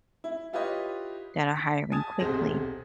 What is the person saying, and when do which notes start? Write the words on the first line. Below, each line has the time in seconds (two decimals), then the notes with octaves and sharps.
that are hiring quickly.
0.24 E4
0.53 E4 F4 G4 B4 C#5 D#5
1.56 B6
1.92 G#5 A5 D#6 G#6 A6
2.19 D#1 B1 C3 G#4 C5 A#6